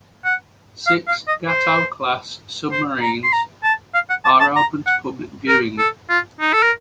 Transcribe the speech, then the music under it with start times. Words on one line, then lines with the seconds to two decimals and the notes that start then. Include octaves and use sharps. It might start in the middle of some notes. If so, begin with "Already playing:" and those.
Six "Gato"-class submarines are open to public viewing.
0.25 F#5
0.87 F5
1.07 F5
1.27 D#5
1.48 C5
2.71 C5
3.02 A#5
3.23 C6
3.32 A#5
3.63 A5
3.94 F5
4.10 F#5
4.25 A5
4.40 A5
4.56 A#5
4.86 F#5
5.48 A#4
5.78 A4
6.09 F4
6.40 D#4
6.53 A4
6.62 A#4